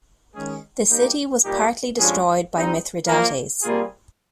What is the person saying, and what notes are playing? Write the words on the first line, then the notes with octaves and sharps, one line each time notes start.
The city was partly destroyed by Mithridates.
D#3 G#3 C#4 G#4
G3 A#3 D#4 G4
A#2 G3 A#3 D#4 G4
G2 F3 G#3 C#4 G#4
G3 C4 D#4
A#2 F3 A#3
C3 G3 A#3 F4 G#4